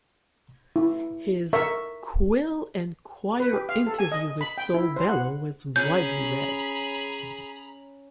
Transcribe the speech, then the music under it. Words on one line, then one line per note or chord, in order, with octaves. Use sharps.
His "Quill and Quire" interview with Saul Bellow was widely read.
E4
A#4 E5 C#6
B4
G4
F5
A4
G#5
D#5
B5
G5
E4
C5
F#5
C#4 G#4 A#5 B5 G6